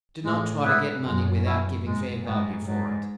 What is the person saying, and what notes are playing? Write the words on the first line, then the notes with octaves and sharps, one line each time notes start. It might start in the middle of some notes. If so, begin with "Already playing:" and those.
Do not try to get money without giving fair value for it.
A2 G#3
G#2 B3 E4 B4
F#2 G#3
C#4 E4
G#2 G#3
G#2 B3 F#4
G#2 F#3